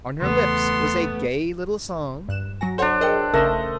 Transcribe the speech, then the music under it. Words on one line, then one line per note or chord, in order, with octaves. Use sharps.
On her lips was a gay little song.
E2 C#3 A3 B3 C6
G2 F#6 E7
F#3 F#4 G#5 A#6
D4 A4 C5 C#5 F#5
G#4 A#4 D#5 G5 E6
A1 C#3 A3 A#4 D#5 D#6 E7